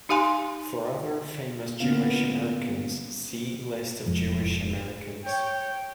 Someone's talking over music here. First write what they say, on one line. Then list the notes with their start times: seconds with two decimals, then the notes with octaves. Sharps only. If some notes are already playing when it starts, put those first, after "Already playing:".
For other famous Jewish Americans, see List of Jewish Americans.
0.09 D#4 G4 F5 G#5 C6
1.80 D3 A#3 B3 C#4 F4 F5
4.06 E1 F2 G#2 F3
5.25 C#5 G5